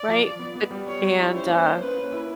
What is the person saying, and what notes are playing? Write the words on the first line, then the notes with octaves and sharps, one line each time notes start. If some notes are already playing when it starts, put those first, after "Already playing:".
right, eh and, uh,
Already playing: D5
F3
F3
B3
B3
G3
G3 C#5
G3
E4
C#4 C5
A#3
C#4
C#4 B4
A#3
E4